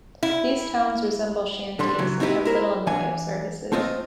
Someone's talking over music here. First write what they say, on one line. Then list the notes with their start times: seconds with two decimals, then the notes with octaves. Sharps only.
These towns resemble shanties, and have little in the way of services.
0.23 E4
1.79 D3 G3 C6
1.99 C#3 E3 F#3
2.20 C4 D#4 E4 G4 B4
2.45 E4 A#4 C5
2.87 E3 D4 G#5
3.72 A3 C4 F4 C5 D#5